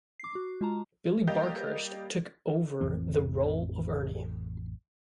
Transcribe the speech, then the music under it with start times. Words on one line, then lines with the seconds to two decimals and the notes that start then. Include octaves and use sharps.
Billy Barkhurst took over the role of Ernie.
0.20 D6 C7
0.35 F#4
0.61 G#3 F4 A5 A#5
1.27 G3 A#3 G4 D#5 G6
2.81 A1 F2 E3 C4